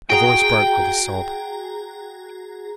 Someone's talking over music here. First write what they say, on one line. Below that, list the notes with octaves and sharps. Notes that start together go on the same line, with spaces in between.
Her voice broke with a sob.
F#4 G#4 G5 A#5